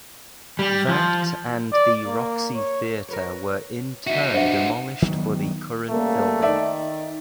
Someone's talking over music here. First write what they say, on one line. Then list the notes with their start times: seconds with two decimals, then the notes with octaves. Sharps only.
That and the Roxy Theatre were in turn demolished for the current building.
0.59 G3
0.89 F3
1.72 D5
2.06 A#3
2.55 C#5
3.09 A#4 B4 C#5
4.07 D#4 F#4 E5
4.34 G2 C5 E5 F#5
5.02 D#3 F#3 B3
5.89 C#3 G3 A3 A#3
6.42 D#3 D#4 D5 E5